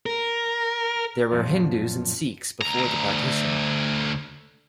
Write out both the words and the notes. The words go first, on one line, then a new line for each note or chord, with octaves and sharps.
There were Hindus and Sikhs before the partition.
A#4
F#2 A#2 D#3 F3 F4
D2 A#5